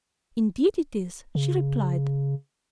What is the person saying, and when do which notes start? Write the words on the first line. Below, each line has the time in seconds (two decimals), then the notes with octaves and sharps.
"Indeed it is," she replied.
1.35 C#3